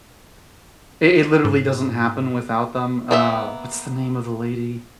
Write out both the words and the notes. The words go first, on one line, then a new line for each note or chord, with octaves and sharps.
It it literally doesn't happen without them, uh, what's the name of the lady?
G#2
A#3 B3 E5